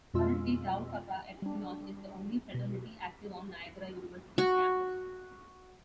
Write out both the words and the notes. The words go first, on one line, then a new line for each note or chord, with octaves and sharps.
Currently Tau Kappa Epsilon is the only fraternity active on Niagara University's campus.
F2 B2 G#3 F4 E6
G3 D4
B2
F#4